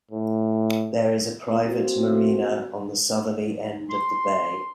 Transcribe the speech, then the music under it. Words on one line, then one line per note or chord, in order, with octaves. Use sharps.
There is a private marina on the southerly end of the bay.
A2
A#3 C4 F4 F#4
C6